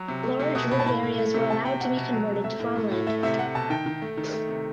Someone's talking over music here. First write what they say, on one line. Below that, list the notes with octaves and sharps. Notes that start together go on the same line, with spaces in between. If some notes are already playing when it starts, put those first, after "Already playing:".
Large wooded areas were allowed to be converted to farmland.
Already playing: F#3
C3
A3
C3
B2 D#6
B2 B5
A5
A2 B5
A2
A3
C3
A3 A5
C3 G5
B2 F#5
B2
F#3
C3
A3 E5
A2
A3
A2
A3 E5
C3 E5
A3 F#5
B2 A5
D#3 G5
D#3
A3
D#3
A3
C3